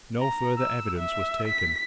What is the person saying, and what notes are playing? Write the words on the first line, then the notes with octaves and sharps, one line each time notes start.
No further evidence was taken.
A#5
E6
E5
B6